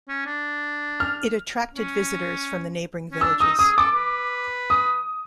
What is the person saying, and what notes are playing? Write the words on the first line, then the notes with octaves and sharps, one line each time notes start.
It attracted visitors from the neighboring villages.
C#4
D4
F6
C#4
C#4
D4 E6
D#4 D#6
G#4 D#6
A4 D6
B4
D#6